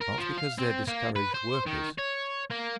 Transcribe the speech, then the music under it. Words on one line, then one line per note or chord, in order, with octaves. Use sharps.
Not because they are discouraged workers.
A#4
F3
F5
C4
A#3
B4
C5
D#3
C#5
A#3